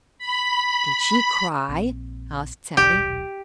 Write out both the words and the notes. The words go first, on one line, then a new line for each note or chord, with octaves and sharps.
"Did she cry?" asked Sallie.
B5
A#1 C4
D#1 B1 G4